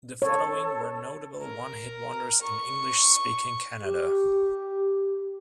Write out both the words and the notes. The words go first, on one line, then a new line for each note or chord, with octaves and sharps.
The following were notable one-hit wonders in English speaking Canada.
A4 C#5
A#4
C#6
G4